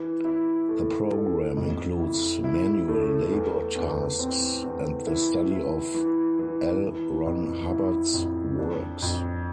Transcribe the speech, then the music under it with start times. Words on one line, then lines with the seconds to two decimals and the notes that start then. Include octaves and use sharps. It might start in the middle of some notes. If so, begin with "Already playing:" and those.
The program includes manual labor tasks and the study of L. Ron Hubbard's works.
Already playing: E3
0.25 E4
0.69 A4
1.12 A4
1.57 F2
2.00 E4
2.44 E4
2.88 A3
3.32 E2
3.76 E2
4.19 C4
4.64 E2
5.07 E4
5.51 E4
5.94 E3
6.39 E3
6.82 E3
7.26 F2
7.70 E4
8.14 F2
8.59 D4
9.02 F2